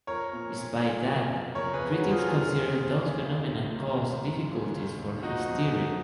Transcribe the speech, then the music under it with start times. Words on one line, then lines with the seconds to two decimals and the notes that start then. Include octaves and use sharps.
Despite that, critics consider those phenomena caused difficulties for his theory.
0.07 F3 A#4 C#5
0.33 A#2
0.57 A#2
0.81 F3
1.06 F#2
1.31 F#2
1.55 C#3 A#4 C#5
1.73 G#4 B4
1.80 F2
1.91 F#4 A#4
2.04 F2
2.10 F4 G#4
2.28 D#3 F4 G#4
2.53 D#2
2.78 D#2
3.02 C#3
3.26 C#2
3.52 C#2
3.76 D#3
4.00 G#2
4.25 G#2
4.50 C#3
4.74 D#2
4.99 D#2
5.23 F3 D#4 F#4
5.48 F#2
5.72 F#2